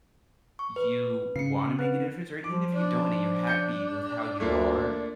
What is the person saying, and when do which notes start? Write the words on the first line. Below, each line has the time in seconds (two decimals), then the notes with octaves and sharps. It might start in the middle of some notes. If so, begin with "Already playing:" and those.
you wanna make a difference, or e even if you don't and you're happy with how you are,
0.59 C#6
0.76 B4
1.36 C#3 C7 C#7
1.79 C4 B4
2.44 F3 D6
2.75 D4
3.47 G6 C#7
4.40 D2 A3 A#3 F4